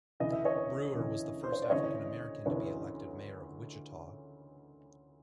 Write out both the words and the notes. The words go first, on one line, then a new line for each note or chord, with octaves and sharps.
Brewer was the first African American to be elected mayor of Wichita.
D2 C#3 E3 D#5
E5
C#5 D#5
D2 C#3 E3
C5
C#5
D5
D2 C#3 E3 C#5 D#5
D2 C#3 E3 B4 C#5